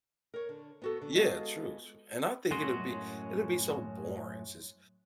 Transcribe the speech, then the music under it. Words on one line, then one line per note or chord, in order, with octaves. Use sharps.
Yeah, true, sh and I think it'll be it'll be so boring just
A#4 C#5
D3
B3 F#4 A4
D3
G#3 B3 F4 F#4 G#4 A4
F#2 A2 G#3 C#4 F#4 C6